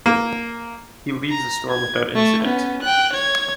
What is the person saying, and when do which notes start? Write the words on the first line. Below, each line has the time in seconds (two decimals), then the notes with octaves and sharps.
He leaves the store without incident.
0.06 A#3
1.30 A#5
1.70 G#6
2.15 A3 C#6
2.43 B3 C#4
2.82 G5 F#6
3.13 C#5 G#6